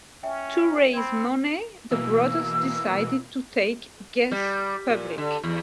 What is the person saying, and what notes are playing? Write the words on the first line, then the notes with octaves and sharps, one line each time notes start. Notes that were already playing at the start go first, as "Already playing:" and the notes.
To raise money, the brothers decided to take Guess public.
C#4 E5 G5
C4 B5 G#6
B2 E3 A#3 E6
G3
A#2
D3
E2